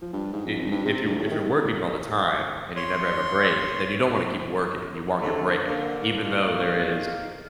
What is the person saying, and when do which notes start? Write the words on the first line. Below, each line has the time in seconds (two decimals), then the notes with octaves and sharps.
i if you if you're working all the time, and you never have a break, then you don't wanna keep working. You want your break, even though there is
0.02 F3
0.13 G2
0.33 G#2
0.47 F2
0.59 G#1
0.71 G2
0.85 C3
1.05 D2
1.19 A2
1.31 D#3
1.45 C2
1.60 A2
2.76 C#5 C6
5.21 D3 A3 C4 C#4
5.65 D3 A#3
6.23 D#2 A#2 D#3 F5